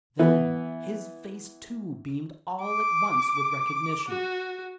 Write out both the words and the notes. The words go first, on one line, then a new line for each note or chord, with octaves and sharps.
Then his face, too, beamed all at once with recognition.
E3 B3
D6
F#4